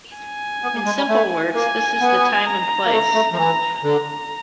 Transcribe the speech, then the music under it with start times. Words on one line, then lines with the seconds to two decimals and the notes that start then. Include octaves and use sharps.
In simple words this is the time and place.
0.17 G#5
0.63 B3
0.75 A#3
0.86 G#3
0.97 G3
1.09 A3
1.54 A#3 G#5
2.01 B3
2.46 A#5
2.84 A#3
2.92 A3 A#5
3.14 A3
3.32 F3
3.37 E3 A#5
3.83 D3 A#5